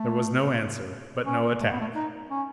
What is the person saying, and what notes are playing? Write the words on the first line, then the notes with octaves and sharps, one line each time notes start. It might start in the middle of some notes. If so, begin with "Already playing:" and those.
There was no answer, but no attack.
Already playing: A3
C#4
A3
B3
A3
D#4
C#4